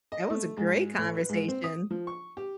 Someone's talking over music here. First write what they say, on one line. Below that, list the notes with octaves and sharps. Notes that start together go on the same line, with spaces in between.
That was a great conversation.
D#5
A3
G#2
A2
B4
G#2
C4
D#6
F3
C#6
G4